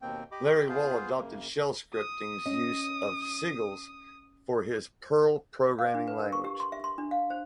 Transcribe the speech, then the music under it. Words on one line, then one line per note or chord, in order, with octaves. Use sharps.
Larry Wall adopted shell scripting's use of sigils for his Perl programming language.
D#2 B2 A#3 C4 G5
G4 D#5 B5 D6
B3 F4 G#4 C5 F5
F#2 C#3 A#3
D#6
C#4 D#5
F5
D4
B4
A#4
C#6
G4
C6
E5
C6
D4
F5
C5